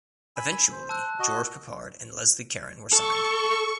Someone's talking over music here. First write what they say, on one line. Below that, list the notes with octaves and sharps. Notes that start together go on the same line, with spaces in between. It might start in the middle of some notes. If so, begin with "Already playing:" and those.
Eventually George Peppard and Leslie Caron were signed.
G#5 B5 E6
C5
A5 E6 F#6
F#4 D#5
A4 C#6